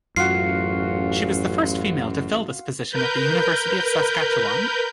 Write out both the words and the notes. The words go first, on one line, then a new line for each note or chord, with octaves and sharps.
She was the first female to fill this position at the University of Saskatchewan.
A1 F#2 F4 F#4 C7
A#4 B4 G6